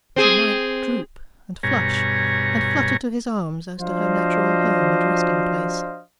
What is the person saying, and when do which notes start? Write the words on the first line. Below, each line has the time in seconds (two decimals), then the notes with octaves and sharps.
She might droop, and flush, and flutter to his arms, as to her natural home and resting-place.
0.16 C4 G#4
1.63 G2 B2 C#5 G#5 A#5
3.79 F3 D4 F#4 C5 D#5 F5